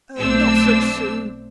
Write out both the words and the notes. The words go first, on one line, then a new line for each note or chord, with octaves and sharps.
'Oh, not so soon!
B1 A3 C4 D4 E6